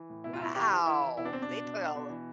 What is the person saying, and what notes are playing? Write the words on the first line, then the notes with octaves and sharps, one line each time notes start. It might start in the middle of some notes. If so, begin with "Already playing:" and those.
Wow! They put al
Already playing: E3
A2
B2 E4
F4
B2 E4
E3 G4
E3
E3 E4
E3
B2 E4
D4
B2 C4
D4
B2
B2
B2
B2
E3